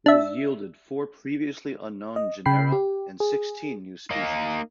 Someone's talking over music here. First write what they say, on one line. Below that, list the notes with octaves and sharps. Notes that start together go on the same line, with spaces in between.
It has yielded four previously unknown genera and sixteen new species.
D4 E5
D#5
C#3 G5 B5 C7
G4
G#4
A#3 D#4